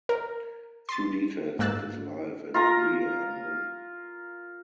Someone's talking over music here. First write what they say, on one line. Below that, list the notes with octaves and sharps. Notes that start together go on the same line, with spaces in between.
Few details of his life and career are known.
A#4
C6 A6
G#2 A#3 E6 F#6 A6
F4 A#4 A#5